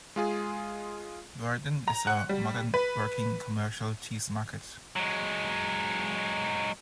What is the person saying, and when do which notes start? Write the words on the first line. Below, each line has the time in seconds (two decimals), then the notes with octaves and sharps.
Woerden is a modern working commercial cheese market.
0.16 G#3 F4 G#4
1.88 A#5
2.07 F#5
2.29 G3
2.74 B4
4.96 F#3 G#3